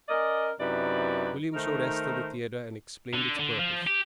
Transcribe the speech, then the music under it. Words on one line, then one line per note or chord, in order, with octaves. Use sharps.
William showed Esther the theatre and explained its purpose.
C#4 A#4 D5 D#5
F#2 C3 D#4 E4 B4 D5
D#3 A3 D#4 A#4 C5
D3
D3
F3
G4